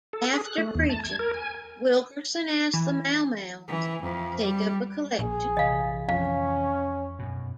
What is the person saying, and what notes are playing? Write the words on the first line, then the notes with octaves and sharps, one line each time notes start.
After preaching, Wilkerson asked the Mau Maus to take up a collection.
A4
G#4
F#6
A3
E2
A5
G#6
A#4
G#5
E3
E3
F2
G3
A#1 G#4
C3 E3 D#5 F5
F2 C#4 F5
F#2 B2